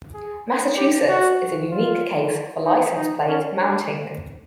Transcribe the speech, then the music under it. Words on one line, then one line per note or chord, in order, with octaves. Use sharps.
Massachusetts is a unique case for license plate mounting.
G#4
G4
F#4
F4
D#4
D#4
C#4
D4